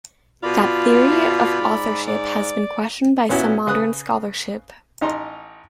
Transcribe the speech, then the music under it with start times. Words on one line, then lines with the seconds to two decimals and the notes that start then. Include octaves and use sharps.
That theory of authorship has been questioned by some modern scholarship.
0.43 B2 F4 D5 B5
1.61 G#2
2.08 D5
3.29 A#2 B3 C#4 E4 F#4
3.67 C#3 B4 D#6 F#6
5.01 A1 D#4 A#5 C6